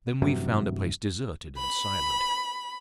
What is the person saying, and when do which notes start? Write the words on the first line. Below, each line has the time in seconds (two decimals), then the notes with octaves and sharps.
Then we found a place deserted and silent.
0.22 A1 G2 C3 F#3
1.57 B5